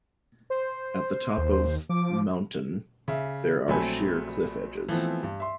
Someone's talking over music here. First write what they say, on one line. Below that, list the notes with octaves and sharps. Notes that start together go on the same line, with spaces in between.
At the top of mountain there are sheer cliff edges.
C5
D#2
F3 D6
C#3 E5
A#1 F#3 A3 C4 G#5 B5
E3 F3 A3 B3 C4
G2
E5 C6